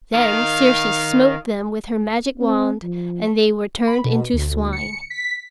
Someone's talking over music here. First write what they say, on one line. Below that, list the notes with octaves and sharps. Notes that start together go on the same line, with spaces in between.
Then Circe smote them with her magic wand and they were turned into swine.
D#3 F5
C4
F3
B5
B2
D2
C#7
B6